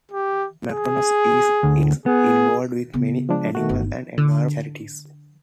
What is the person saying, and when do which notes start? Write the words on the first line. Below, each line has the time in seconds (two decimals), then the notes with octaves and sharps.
McDonnell is involved with many animal and environmental charities.
0.12 G4
0.69 G#4
1.63 D2
2.06 B3 G#4
2.93 C#3 B3
3.29 F3 G#3 D4
3.55 D#3 A3 F#4
3.69 G1 D#4
4.18 D3